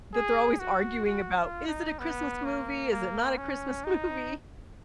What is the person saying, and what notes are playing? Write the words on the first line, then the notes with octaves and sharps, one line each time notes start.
that they're always arguing about, "Is it a Christmas movie? Is it not a Christmas movie?"
G#4
F#4
F#4
F4
D#4
B3
A#3
A#3
C#4
D#4